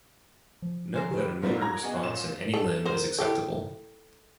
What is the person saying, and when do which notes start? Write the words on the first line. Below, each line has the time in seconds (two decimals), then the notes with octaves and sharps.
Note that a motor response in any limb is acceptable.
0.62 F3
0.94 A#4 C5 G#5
1.11 D#3 G4 B4
1.42 A#2 F#3 G3 C4 D#4
1.61 A#5 G#6 A#6
1.82 B3 F#4 G#4 D#5 G#5
2.03 A#2 C#4 C6 E7
2.54 A4
2.85 A#4 C5
3.18 E4 G4 A4